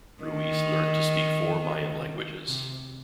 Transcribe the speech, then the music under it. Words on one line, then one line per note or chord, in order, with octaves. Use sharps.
Ruiz learned to speak four Mayan languages.
D#3
C3